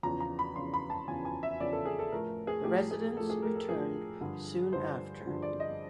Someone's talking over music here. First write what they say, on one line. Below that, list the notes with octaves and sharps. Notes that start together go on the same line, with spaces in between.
The residents returned soon after.
E2 C#3 F3 A#5
A#5
B5
E2 C#3 F3 C6
B5
A5
E2 C#3 F3 G#5
G#5
E5
E2 C#3 F3 D5
A4
G#4
A4
A2 F3 A3 A#4
G#4
A2 F3 A3 G4
G#4
A2 F3 A3 A4
G#4
A#4
A4
A2 F3 A3 G#4
G2 D3 F3
G2 D3 F3 C5
G2 D3 F3
D5
D#5